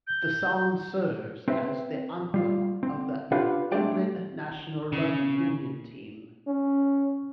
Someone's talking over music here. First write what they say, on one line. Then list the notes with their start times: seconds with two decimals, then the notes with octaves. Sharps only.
The song serves as the anthem of the England national rugby union team.
0.07 G6
1.48 C4 B4 C5 E5
2.34 G3 F4
2.83 C4
3.32 D4 F4 G4 B4 F5 F#5
3.72 A3 C4 D4 G#4 D5 G5
4.92 C#3
6.47 C#4